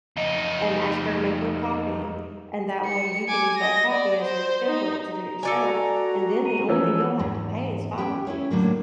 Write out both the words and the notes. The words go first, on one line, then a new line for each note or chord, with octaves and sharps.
and ask her to make you a copy. And that way, you can use that copy as your template to do it yourself, and then the only thing you'll have to pay is filing fees.
F2 D#4
C#7
G#5 D6
D#5 A#6
D5
C5
D#4
A#5
F#4 A4 D5 G#5
A#5 D#7
E3 F3 C#4 E6
E2 G#2
C#4 G4 B4 G5
C#4 E4 C#5
A2 D3 F#3 A#3